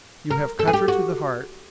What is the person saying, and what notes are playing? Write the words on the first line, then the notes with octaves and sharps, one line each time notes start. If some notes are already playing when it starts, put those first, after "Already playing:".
"You have cut her to the heart."
A#4
A4
G#4
G4
F#4